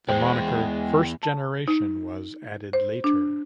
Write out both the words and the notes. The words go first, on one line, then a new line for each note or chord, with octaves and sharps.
The moniker "First Generation" was added later.
E2 G#3 C5 G5
A5
D#4
C5
D4